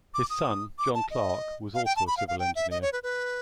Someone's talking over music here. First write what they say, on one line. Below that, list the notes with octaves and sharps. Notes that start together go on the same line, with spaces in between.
His son, John Clarke was also a civil engineer.
D6
D#6
D6
A5
D#5
F5
G5
A5
B5
F5
F5
G5
E5
D#5
C#5
B4
B4